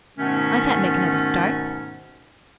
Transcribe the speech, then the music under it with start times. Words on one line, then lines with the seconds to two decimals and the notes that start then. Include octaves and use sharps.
I can't make another start.
0.18 G#2 B2 D#3 A3 B3 C#4